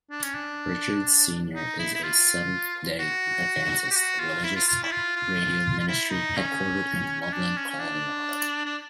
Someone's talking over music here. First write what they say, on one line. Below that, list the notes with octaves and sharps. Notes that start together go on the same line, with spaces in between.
Richards, Senior is a Seventh-day Adventist religious radio ministry headquartered in Loveland, Colorado.
D4
C#4
D4
D#4
E4
E4
F4
F#4
G4
F#4
F4
E4
F4
F4
E4
F4
F4
F4
E4
D#4
C#4
C#4
D4
C#4
C#4
D4
D4